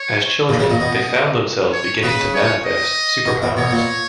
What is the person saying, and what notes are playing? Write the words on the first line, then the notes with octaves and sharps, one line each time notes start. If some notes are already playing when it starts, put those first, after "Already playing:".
As children, they found themselves beginning to manifest superpowers.
Already playing: C#5
A#2 D#5
C#3
A#2
B2
C#5
C#3 B4
C#5
D#5
B2
B2
B2 C#5
A#2